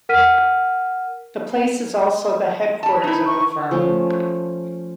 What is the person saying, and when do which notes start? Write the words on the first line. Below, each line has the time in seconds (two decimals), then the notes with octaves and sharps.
The place is also the headquarters of the firm.
0.09 A#4 F#5 F6 B6 D#7
2.83 G3 A5
3.04 D#4 E4
3.26 C#6
3.71 F3 A3 C#4